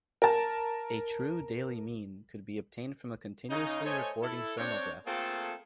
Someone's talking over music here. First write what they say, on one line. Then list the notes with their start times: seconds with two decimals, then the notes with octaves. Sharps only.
A true daily mean could be obtained from a continuously-recording thermograph.
0.22 A#4 A5
3.50 C#3 D#4
3.85 A3 C5 C#5 D#5 G#5
4.22 E4 A4
4.59 C4 D4 C#5
5.06 A3 A#3 C4 F4 G#4 A4